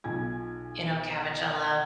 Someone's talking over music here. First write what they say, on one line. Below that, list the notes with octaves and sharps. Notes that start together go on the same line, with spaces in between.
you know, cabbage. I love
B1 F4 G#5 G#6